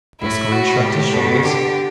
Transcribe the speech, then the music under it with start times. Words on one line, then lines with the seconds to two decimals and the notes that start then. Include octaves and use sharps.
Gascoyne shrugged his shoulders.
0.21 A2 E4
0.52 F#4
0.82 G4
1.13 B2 A4
1.44 D3 G4